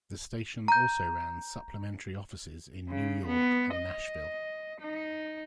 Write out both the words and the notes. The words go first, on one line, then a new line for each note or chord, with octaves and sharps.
The station also ran supplementary offices in New York and Nashville.
A#5 G6
C#3
B3
D#5
D#4